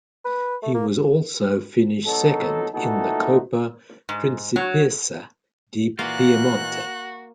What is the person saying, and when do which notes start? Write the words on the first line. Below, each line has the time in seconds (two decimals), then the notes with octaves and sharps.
He was also finish second in the Coppa Principessa di Piemonte.
0.25 B4
0.62 A3
0.74 A#3
2.06 B2 F#3 D#4 A4
2.74 A#2 E3 A3 D#4 F#4 A4
4.09 G#2
4.56 F#3
5.99 A#2 E3 A#3 F4 F#4 F#6